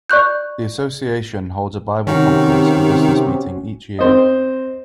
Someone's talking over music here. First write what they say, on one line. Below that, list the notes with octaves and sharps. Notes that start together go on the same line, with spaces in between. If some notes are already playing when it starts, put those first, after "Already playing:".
The association holds a Bible Conference and business meeting each year.
D5 C#6 F#6 G6
C3 D#3 C#4 D#4 F#4
C4 C5 D#5